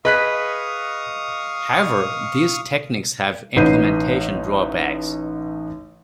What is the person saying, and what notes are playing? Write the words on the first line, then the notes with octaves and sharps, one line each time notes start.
However, these techniques have implementation drawbacks.
G#4 B4 D#5 F5 C#6 D#6 F#6 B6
A1 D#4 B4 G6 C7 D#7